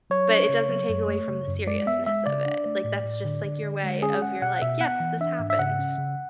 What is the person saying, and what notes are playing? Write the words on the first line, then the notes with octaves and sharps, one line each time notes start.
but it doesn't take away from the seriousness of it, like, that's just, like, your way of you're like, "Yes, this happened,
F#3 C#5
C#4
C#3
F#3
F#2
A3
C#3
F#2
G#3 D5
B3 E5
G#3 E5
C#3 D5
D4
A3
A2
A2
D3
D3
D3
G#3
C#4 G#4
C#4 F#5
B2 F#5
B2 E5
B3 F#5
E3
D4 E5
G#2
E5
C#3 F#5
C#4
C#3